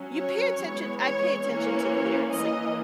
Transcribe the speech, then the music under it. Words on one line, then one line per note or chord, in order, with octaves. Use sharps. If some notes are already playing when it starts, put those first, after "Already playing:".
you pay attention, I pay attention to lyrics, like,
Already playing: F#3 C#4
C#5
E3 G#3 B3
C#5
E3 A#3 C#4 C#5
E3 A#3 C#4 D#5